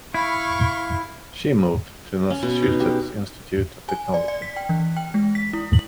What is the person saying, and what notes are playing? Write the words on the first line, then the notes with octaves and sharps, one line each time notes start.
She moved to Massachusetts Institute of Technology.
E4 F5 B5 C#6
C#4
B2
D#4
G4
G#5
D5
D5
B6
G5
E3
G5
G#3
B6
E4
F#7